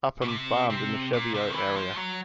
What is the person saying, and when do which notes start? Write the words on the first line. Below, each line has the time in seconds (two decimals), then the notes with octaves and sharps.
Upham farmed in the Cheviot area.
0.22 B2
0.28 C3
0.70 C3
1.13 A#2
1.34 C3
1.50 D#3
1.54 E3
1.76 F3
1.97 F#3